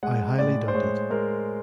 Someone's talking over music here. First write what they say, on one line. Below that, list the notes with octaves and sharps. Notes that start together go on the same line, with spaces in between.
I highly doubt it.
G#3 F#5
A2 D5
C5
G#3 C#5
G#3 A#4